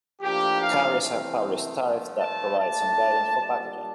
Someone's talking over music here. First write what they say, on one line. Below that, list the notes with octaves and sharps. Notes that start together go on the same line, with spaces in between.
Carriers have published tariffs that provide some guidance for packaging.
A2 F3 A#3 D4 G4
F5
C3 E3 A3 C4
G2 F3 A3
A5
A#2 A3 D4 A5
A#2 G3 D4